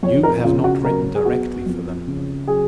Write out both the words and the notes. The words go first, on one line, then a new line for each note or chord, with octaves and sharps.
You have not written directly for them.
F2 C#5
A#4
C#3 F4
F#4
F#3 A#4
G#4
B3 F#4
F2
C#3
F#3 G#4